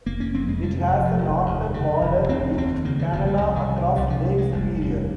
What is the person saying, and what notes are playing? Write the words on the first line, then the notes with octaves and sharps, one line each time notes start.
It has a northern border with Canada across Lake Superior.
F1 A#3
C#4
F2 C4
G#3
C3 G3
F3
F1 F3
F3
F1
D#2
C#3
F1
F1 C4
D#2 C4
C#3 A#3
F3
F1 F3
G3
C2
D#3
C3 F3
G3
C2 G3
F3
C3 G3
G#3
F1 G3
D#2